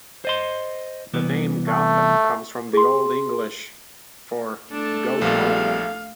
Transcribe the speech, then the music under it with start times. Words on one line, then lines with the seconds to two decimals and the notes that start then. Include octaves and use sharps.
The name Gotham comes from the Old English for "goat home".
0.25 C5 D#5 C6
1.14 C2 E3 B3
1.68 A3
2.73 G#4 C6
4.72 A3 D4 A4
5.22 A#1 A#2 G3 G#3 B3 F5